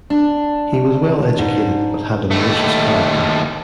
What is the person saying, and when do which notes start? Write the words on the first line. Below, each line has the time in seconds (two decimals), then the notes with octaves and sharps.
He was well educated but had a malicious character.
0.10 D4
1.39 G#2
2.31 D#2 A3